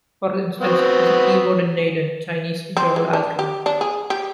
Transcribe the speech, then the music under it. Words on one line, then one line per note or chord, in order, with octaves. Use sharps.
For instance, it is a keyword in "Neidan" "Chinese internal alchemy".
B3 C4 F#4
C4
G#3
D4
G4
D4
G#4
G4